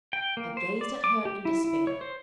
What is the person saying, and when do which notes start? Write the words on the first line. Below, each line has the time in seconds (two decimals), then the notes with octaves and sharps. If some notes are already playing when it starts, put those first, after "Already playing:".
I gazed at her in despair.
0.13 G5
0.37 A#3
0.57 C5
0.81 D5
1.04 D6
1.25 G4
1.45 E4
1.65 E4
1.87 C#5
2.01 C5